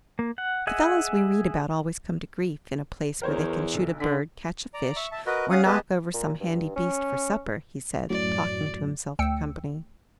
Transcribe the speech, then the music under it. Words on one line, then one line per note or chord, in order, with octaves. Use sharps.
"The fellows we read about always come to grief in a place where they can shoot a bird, catch a fish, or knock over some handy beast for supper," he said, talking to himself for company.
A#3
F#5
G#4 D#5 E5 F#5 G#5
E2 A#4 C5 C#5
B1 D3
D3 B6
D5 A#5
E5 C#6
E5 A5
F#4 A#4 B4 D#5
C#4 F5 F#5 D#6
B3 G4 G#4 B4 D#5 A5
A#2
G2
C#4
F#2 A2 F#3 D5
D2 G5 E6 C#7